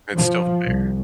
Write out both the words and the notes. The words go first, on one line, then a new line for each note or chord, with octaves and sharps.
It's still there.
F3
C2